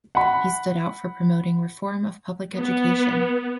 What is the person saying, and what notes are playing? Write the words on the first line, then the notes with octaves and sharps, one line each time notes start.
He stood out for promoting reform of public education.
F#5 B5
B3